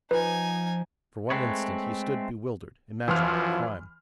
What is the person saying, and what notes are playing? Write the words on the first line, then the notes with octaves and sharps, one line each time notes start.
For one instant he stood bewildered,--imagining a crime.
F3 D#4 B4 G#5
G#3 A3 C4 B4 C#5
F#2 E3 F3 C6 F6